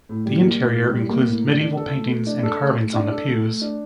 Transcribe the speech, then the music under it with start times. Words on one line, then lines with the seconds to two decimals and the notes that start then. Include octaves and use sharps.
The interior includes medieval paintings and carvings on the pews.
0.09 A2
0.26 G3
0.42 A#3
0.60 A2
0.76 A2
0.93 G3
1.10 A#3
1.26 A2
1.44 A3
1.60 D4
1.77 A4
1.93 A3
2.10 A3
2.27 D4
2.43 A4
2.61 A3
2.77 A3
2.94 D4
3.11 A4
3.27 A3
3.45 A3
3.62 D4